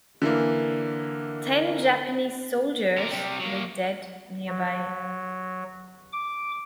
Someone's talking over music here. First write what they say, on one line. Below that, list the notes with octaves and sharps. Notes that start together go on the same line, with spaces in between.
Ten Japanese soldiers lay dead nearby.
D3 E3 A#3
D3 A#4
C3 G3
F#3 A#3
F#3
D6